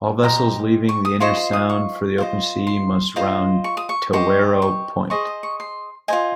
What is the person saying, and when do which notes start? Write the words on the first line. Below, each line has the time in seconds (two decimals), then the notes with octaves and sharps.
All vessels leaving the inner sound for the open sea must round Tawero Point.
0.23 G4 C5 D#5 A#5
0.89 C#6
1.05 D#6
1.20 F4 C5 D#5 C#6
1.37 C6
1.53 D#6
1.70 C#6
2.18 F4 C5 D#5
2.67 C6
3.16 F4 C5 D#5
3.64 C#6
3.77 D#6
3.89 C#6
4.13 G4 C5 D#5 C#6
4.62 C#6
5.10 G#4 C5 D#5 C#6
5.27 D#6
5.43 C#6
5.60 C6
6.08 F4 C5 D#5 G#5